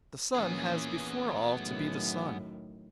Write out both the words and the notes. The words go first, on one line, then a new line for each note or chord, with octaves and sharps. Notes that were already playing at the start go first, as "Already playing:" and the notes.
The sun has before all to be the sun.
A#2 E3 B3 C#4 G#4
F#2 A2 D#3